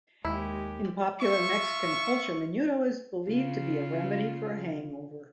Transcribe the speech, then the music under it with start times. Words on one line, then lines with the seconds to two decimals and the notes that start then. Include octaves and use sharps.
In popular Mexican culture, Menudo is believed to be a remedy for hangover.
0.25 D#2 G#3 E4 G4
1.20 F4 E5 C#6
3.28 C#3 F4